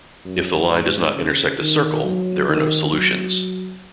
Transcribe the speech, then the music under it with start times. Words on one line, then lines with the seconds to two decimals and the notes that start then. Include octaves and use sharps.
If the line does not intersect the circle, there are no solutions.
0.25 F#2
0.69 G#2
1.14 C#3
1.59 D#3
2.04 F#3
2.49 D#3
2.92 F#3